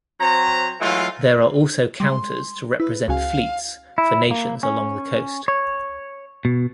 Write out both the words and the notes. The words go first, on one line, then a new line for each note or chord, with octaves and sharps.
There are also counters to represent fleets for nations along the coast.
F#3 C4 C5 A#5
E3 F#3 G#3 A3 F4
G3 G#3 C6
E4 B4
C#2 F#4 F5 G#5
E4
A#3
C#4
C#5
B2